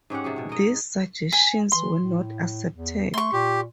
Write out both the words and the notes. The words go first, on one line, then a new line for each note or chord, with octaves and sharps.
These suggestions were not accepted.
G#2 C#4 G4 F#5
C3 F#4 G#4
B2 C#5
A#4 D#5
G#5
E3 C6
A2
E2
A3 C6 C#6
A#2 G4